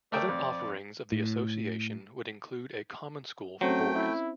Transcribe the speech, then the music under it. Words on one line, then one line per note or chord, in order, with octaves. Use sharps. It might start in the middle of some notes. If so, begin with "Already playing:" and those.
Other offerings of the association would include a common school for boys.
A3 A#4 D5 G5
F2
A2
F#3 A3 C4 C#4 C5 G5
E4